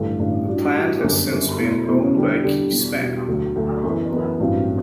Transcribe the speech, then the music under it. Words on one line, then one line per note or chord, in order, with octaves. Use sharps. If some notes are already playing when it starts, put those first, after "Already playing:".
The plant has since been owned by KeySpan.
Already playing: A1 G2 D3 A3
A1 G2 D3 A3
A2 G3 D4 F#4
A2 G3 D4 F#4
G1 F#2 D3 G3
G1 F#2 D3 G3
E2 B2 A3 E4
E2 B2 A3 E4
E2 D3 G3 D4 G4
E2 D3 G3 D4 G4
E2 B2 G3
E2 B2 G3
D2 D3 F#3 A3
D2 D3 F#3 A3
F#2 E3 B3
F#2 E3 B3
A1 G2 F#3 C4